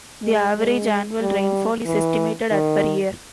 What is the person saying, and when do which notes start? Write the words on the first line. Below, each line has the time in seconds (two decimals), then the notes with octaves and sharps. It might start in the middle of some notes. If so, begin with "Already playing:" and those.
The average annual rainfall is estimated at per year.
0.23 G#3
0.56 G#3
1.21 G3
1.86 E3
2.51 D#3